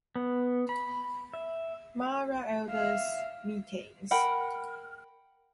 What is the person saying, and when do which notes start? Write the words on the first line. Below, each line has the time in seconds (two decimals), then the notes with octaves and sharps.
Mara Elders Meetings.
0.16 B3
0.69 B5
1.33 E5
2.70 E5 F5
4.11 A#4 F#5 G5 B5